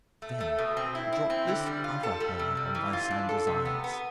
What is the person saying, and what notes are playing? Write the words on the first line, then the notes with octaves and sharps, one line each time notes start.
Then drop this other herb on Lysander's eyes.
A3
A3
B2
C4
E4
E4
C4
D3
G3
F4
A4
G3
C3
G3
E3
F4
D4
A4
C3
B3
B3